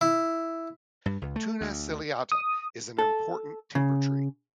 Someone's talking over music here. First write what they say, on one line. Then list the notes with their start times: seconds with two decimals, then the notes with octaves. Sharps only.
"Toona ciliata" is an important timber tree.
0.01 E4
1.06 G2
1.22 C#2
1.36 A3
1.61 D2
2.32 D#6
2.99 A4
3.75 C#3